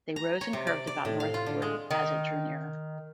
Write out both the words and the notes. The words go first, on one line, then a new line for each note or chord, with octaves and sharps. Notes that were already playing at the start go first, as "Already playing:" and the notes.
They rose and curved about northward as it drew nearer.
A#5
C#5
C3
D5
D5
A2
F5
F4
D3
G#3
D#3